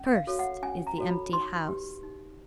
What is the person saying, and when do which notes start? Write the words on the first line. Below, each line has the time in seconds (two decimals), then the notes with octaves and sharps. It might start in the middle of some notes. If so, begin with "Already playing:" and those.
"Cursed is the empty house!"
Already playing: C#4
0.15 F5
0.27 F#4 A4 C#5
0.39 F#5
0.63 C#4 G#5
0.87 A#5
0.98 F#4 A4 C#5
1.09 B5
1.33 D#4 C6
1.68 G4 B4
2.03 D#4